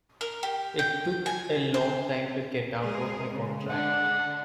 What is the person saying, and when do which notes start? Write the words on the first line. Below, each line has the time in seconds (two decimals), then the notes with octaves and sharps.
It took a long time to get out of my contract.
0.21 A#4
0.43 G4
0.79 G5
1.26 G#5
1.74 C5
2.83 G#3 G#4 A#4
3.32 C#3
3.70 D3 D4 F#5